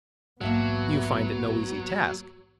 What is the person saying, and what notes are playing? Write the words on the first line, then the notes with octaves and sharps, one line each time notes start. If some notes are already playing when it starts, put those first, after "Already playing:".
You find it no easy task.
A#1 E2 G#2 F#3 A#3 B3 E5 A5